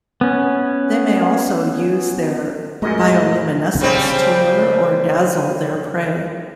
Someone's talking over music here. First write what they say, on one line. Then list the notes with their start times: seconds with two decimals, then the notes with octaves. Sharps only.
They may also use their bioluminescence to lure or dazzle their prey.
0.21 B3 C#4
2.82 F#2 A#2 G#3 A3 D#5
3.81 C#3 G3 C4